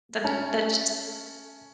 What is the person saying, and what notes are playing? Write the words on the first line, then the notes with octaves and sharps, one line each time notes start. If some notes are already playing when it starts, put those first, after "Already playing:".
That that's just
C#4 A5